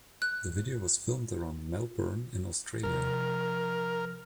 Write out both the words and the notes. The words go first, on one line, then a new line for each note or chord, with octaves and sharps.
The video was filmed around Melbourne in Australia.
F#6
C3 F3 A#4